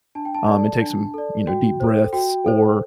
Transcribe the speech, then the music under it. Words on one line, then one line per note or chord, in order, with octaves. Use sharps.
um, and take some, you know, deep breaths, or,
D4 A5
G5
A5
A4 D5
D4
A4 D5
F#4 G5
A4 C5
F#4 G5
A4 C5